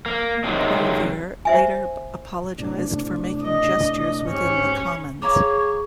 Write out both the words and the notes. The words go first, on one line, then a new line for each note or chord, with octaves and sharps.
Poilievre later apologized for making gestures within the Commons.
A#3
C3 D#3 F#3 G#3
C5 E5 G#5
A2 C3 D4
D#5
G#2 C4 C#4 G4
G#4 C#5 F5 A#5 C#6 D6